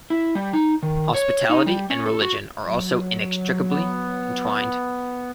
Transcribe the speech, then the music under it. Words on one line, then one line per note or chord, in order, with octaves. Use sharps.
Hospitality and religion are also inextricably entwined.
E4
G3
D#4
D#3
C#5
D#4
G3
C#4
A4
F#4
F#3
B3